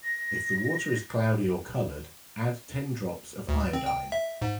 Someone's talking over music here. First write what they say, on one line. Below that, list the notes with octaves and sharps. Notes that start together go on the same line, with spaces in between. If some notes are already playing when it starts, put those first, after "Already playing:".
If the water is cloudy or colored, add ten drops of iodine.
A#6
D2
C4
G5
E5
G#2